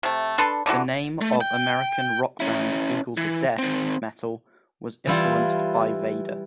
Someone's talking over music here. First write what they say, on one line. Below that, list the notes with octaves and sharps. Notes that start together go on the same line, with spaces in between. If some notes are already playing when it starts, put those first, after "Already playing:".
The name of American rock band Eagles of Death Metal was influenced by Vader.
C3 A3
D4 A4 B4 C6
D3 E3 D4 F#4
A3
G5
C#4 E4
E3
D#3 C4
E3 G3 E4 F4